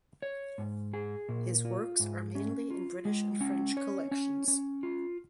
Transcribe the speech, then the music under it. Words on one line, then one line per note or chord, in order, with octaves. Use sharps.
His works are mainly in British and French collections.
C#5
G#2
G#4
A#2
F4
G#2
C#4
F4
G#3
C#4
C#5
C#4
C#4
F4